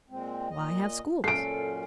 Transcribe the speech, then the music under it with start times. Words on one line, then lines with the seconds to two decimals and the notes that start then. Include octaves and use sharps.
"Why have schools?"
0.10 A#2 G#3 C4
0.50 A#2 D#5
1.24 F#2 A#2 C#4 A4 C7 D7